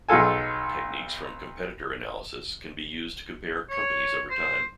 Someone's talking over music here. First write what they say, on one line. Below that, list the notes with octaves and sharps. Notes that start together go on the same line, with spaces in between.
Techniques from competitor analysis can be used to compare companies over time.
B1 G#3 F4 A4 G#5
C#5
C5